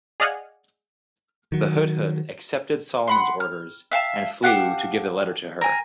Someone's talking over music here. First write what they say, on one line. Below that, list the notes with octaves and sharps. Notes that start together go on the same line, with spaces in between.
The Hud-hud accepted Solomon's orders, and flew to give the letter to her.
G#4 D5 D#5 F5 F#5 G#5
D#3 F#3
F#5 B5 C6
F6
E5 F5 G5 A5
G4 F5 F#5 A5
A#4 G#5